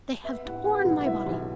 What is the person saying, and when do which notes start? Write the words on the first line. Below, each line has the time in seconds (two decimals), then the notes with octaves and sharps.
They have torn my body.
0.23 B3 E5
0.45 A2 F#5
0.64 B3 F#5
0.85 B1 F#5
1.05 E3 E5
1.26 B1